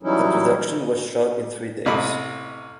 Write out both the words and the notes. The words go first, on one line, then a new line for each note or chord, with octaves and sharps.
The production was shot in three days.
E3 F#3 G3 C#4 D#4 E4
A1 C3 A#3 D#5 B5